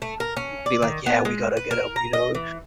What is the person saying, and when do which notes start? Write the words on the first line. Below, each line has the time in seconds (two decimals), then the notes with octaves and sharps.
be like, "Yeah. We gotta get him," you know,
0.02 A3
0.20 A#4
0.37 C#4
0.66 D5
0.82 D#3
1.06 B3
1.25 G#3
1.57 B4
1.71 A#4
1.96 A#5
2.13 D#5
2.35 E3